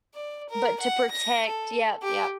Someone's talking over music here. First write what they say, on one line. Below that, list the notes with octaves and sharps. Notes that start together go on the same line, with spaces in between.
But, to protect, yeah, yeah,
D5
A#4
F#5
A#6
A4
G4